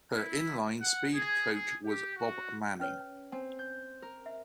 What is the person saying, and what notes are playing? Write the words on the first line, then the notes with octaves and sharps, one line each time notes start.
Her inline speed coach was Bob Manning.
E4
F#5
G#4
G#4
G4
F#4
C#4 B4 C#5
C4 G#5
G6
A#4
E5